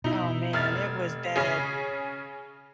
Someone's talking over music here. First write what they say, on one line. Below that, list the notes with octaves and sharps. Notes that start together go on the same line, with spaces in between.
Oh, man, it was bad.
B2 D#4 E4
F1 F6 A6
C#3 C#4 G#4